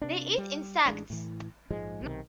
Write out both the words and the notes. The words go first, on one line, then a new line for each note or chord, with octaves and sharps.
They eat insects.
C3 D4
G3
A1 G#3 D4
A2 E3
A#1 G#2 F3 G#3
B1 C3 D#3